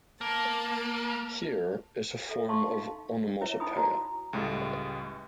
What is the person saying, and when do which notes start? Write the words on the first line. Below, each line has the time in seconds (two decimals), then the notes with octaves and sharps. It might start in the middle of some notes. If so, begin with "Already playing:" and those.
Here it a form of onomatopeia.
0.21 A#3 A5
2.29 A4 E5
2.49 F5 A5 C6 C#6
2.69 D#4 F5
3.41 E4 B4 C#5 E5
3.60 D#4 E4 G#5 B5 D#6
3.76 F#4 A#5
4.33 C#2 A2 G3 G#3